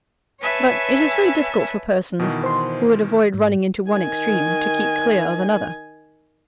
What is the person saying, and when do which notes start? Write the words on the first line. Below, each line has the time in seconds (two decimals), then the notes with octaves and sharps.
But it is very difficult for persons, who would avoid running into one extreme, to keep clear of another.
0.41 B4 C#5 E5 G#5 A5
2.19 B2 D#3 E3
2.44 C5 C6
3.34 G#2
3.89 D#3 G#5